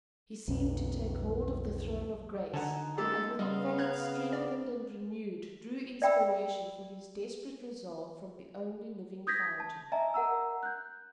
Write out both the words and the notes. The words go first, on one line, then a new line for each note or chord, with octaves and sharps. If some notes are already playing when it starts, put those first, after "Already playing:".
He seemed to take hold of the throne of grace and, with a faith strengthened and renewed, drew inspiration for his desperate resolve from the only living fountain.
B1 F2
D3 D#4 F#5 G#5 A5
F#2 G#3 A#3 G4 A4
C#3 G3 B3 D#5 F5 C6
A#5 F#6 G#6
D4 D5
D5 E5 G5 B5 E6
D#6 G6 G#6 A#6 B6
A5
D#5 E5 G#5 A#5
A#4 F#5 A#5 E6
F#6 G6